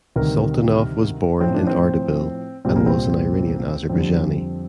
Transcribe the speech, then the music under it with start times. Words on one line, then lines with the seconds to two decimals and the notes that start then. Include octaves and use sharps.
Sultanov was born in Ardabil and was an Iranian Azerbaijani.
0.16 D2 C3 D#3 G3 A#4
1.41 A2 F3 C4
1.54 D4
1.67 C4
2.65 C2 A#2 G3 C4
2.76 A#3
2.86 C4
3.89 F2 D3 G3 C4